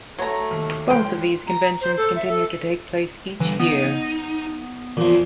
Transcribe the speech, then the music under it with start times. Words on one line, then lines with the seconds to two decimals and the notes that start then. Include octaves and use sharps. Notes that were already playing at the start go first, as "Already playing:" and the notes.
Both of these conventions continue to take place each year.
0.19 F#3 A3 C#5 A#5
0.51 D#2
0.90 C#2 F3 G5 C6
1.47 A#5
1.81 C5
1.97 A4
2.15 E5
2.29 A4
3.40 D3 E3 G3
3.60 B3 D#4
4.97 E2 A#2 F3